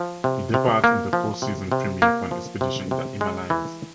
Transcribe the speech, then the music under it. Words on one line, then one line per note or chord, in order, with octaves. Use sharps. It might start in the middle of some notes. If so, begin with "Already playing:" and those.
He departs in the fourth-season premiere for an expedition in the Himalayas.
Already playing: F3
C3
C3
A#3
F3
C3
C3
A#3
F3
C3
C3
G#3
E3